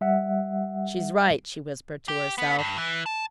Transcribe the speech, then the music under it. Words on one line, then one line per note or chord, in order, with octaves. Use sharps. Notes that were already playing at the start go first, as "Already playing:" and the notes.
"She's right," she whispered to herself.
G3 E5 F#5
G4
B3
G2
E3
A5